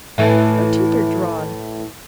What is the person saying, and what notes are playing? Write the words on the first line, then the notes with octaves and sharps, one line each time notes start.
Her teeth are drawn.
A2 E3 A3